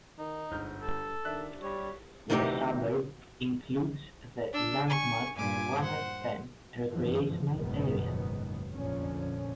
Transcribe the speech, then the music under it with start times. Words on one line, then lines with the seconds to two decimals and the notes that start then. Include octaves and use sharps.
The suburb includes the landmark Wemmer Pan recreational area.
0.19 D#3 D#4
0.51 G1 G#2 F6 G6
0.82 G2 A4
1.25 D#3 D4 E5 F#6
1.62 G3 C#5
2.30 D2 C3 E3 D#4 F4 G4
4.52 D4 E6
4.87 G#5 C#6
5.35 G2 A#2 G#5 D6 G#6
5.81 C5 F#5
6.90 F#1 G2 B2 D3 E3 F3
7.54 F#1 C#2 G#2 B2 D#3 B3
8.73 F1 A#1 A#2 D3 F3 C#4